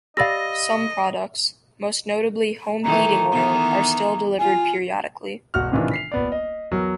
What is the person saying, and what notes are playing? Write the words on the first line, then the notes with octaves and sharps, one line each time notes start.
Some products, most notably home heating oil, are still delivered periodically.
G4 D5 D#5 F5 B5 E6 A#6
D#3 E3 A3 A#5
D#3 E3 B3
F4 G#5
E1 F#4 F6
A2 C3 D#3 E3 D4 F4
B6 C7 F7
D#1 B3 D5
D#5
E2 F#3 A#4